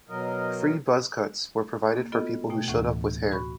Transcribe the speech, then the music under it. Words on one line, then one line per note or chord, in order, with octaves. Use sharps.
Free buzz cuts were provided for people who showed up with hair.
B2 F#3 A#4 D#5
A#3
B3 F4 F#4 A4 D#5
B2 A3 G5
D2 A2 E3
F#4 B5 C#6